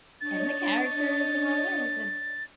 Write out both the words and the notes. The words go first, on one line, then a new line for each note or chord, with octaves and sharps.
And, the characters and all this, and
D4 C#5 D#5 A6